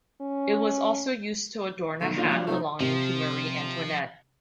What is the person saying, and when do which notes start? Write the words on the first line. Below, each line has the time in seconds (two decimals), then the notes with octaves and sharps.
It was also used to adorn a hat belonging to Marie Antoinette.
0.21 C#4
2.01 D2 B2 D#3 F#3 A3
2.17 D3 F#3 A#3 F4 F5
2.31 F3 G3 D4
2.47 C2 C3 A3 D#4
2.80 C3 F3